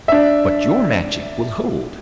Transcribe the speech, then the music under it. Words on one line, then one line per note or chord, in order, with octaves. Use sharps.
But your magic will hold.
D4 E5